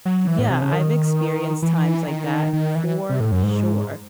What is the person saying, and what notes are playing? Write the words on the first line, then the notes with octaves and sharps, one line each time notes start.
yeah, I've experienced times like that for sure.
F#3
E3
A2
C3
C#3
D#3
E3
D#3
D#3
E3
C3
A2
F#2
G#2